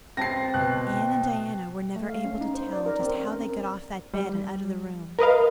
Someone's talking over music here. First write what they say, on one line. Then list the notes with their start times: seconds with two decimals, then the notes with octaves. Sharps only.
Anne and Diana were never able to tell just how they got off that bed and out of the room.
0.17 C4 A5 A#6 C7
0.54 B2 F#6
1.96 A3
2.09 F5
2.24 C#4
2.41 D#4
2.55 C5
2.73 D5
2.86 A#4
3.00 C4
3.15 C#4
3.28 A#4
4.14 G3
5.19 A#4 B4 D#5 F5